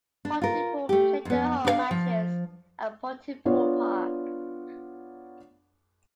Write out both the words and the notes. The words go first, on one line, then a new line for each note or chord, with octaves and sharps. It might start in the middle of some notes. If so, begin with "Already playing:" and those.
Pontypool play their home matches at Pontypool Park.
D4
F4 A#4
A3 G4
F2 B3
D4 B4 F5
F3
B3 D4 F4 C#5